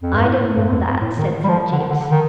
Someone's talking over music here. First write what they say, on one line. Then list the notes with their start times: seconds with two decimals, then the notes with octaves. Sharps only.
"I don't know that," said Sir James.
0.02 F2
0.13 G2
0.24 A2
0.40 A2
0.56 G2
0.72 F2
0.87 G2
1.02 A2
1.18 D#3
1.44 G3
1.48 F3
1.72 D3
1.79 D#3
1.90 D3
2.00 D3
2.11 D#3